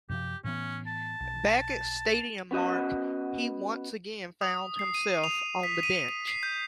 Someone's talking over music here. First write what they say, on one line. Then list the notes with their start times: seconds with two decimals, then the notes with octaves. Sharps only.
Back at Stadium mark he once again found himself on the bench.
0.09 F#2 C3 F3 G4
0.44 A2 E3 B3 C#4
0.87 A5
1.20 B1
2.51 B3 C#4 F#4 D#5
4.41 D#6
4.79 C7
4.94 D#7
5.24 F7
5.63 B6
5.83 D#7
6.09 D#7
6.28 C7
6.43 G6